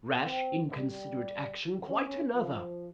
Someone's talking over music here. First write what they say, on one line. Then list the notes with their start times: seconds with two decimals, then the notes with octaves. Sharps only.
Rash, inconsiderate action quite another.
0.25 C4
0.74 G3
1.87 C#4
2.34 F3